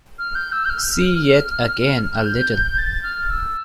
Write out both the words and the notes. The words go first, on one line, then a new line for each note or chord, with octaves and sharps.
See yet again a little.
F6
G6
E6
G6
F6
G6
A6
F6
E6